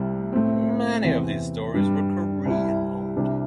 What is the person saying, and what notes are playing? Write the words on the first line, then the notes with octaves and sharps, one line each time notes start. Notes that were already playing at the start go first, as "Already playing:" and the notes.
Many of these stores were Korean owned.
Already playing: C2 C3 G3
A2 A3 C4
E2 C3 E3 C4
G2 G3 D4
C2 C3 G3 E4
C2 C3 G3 D4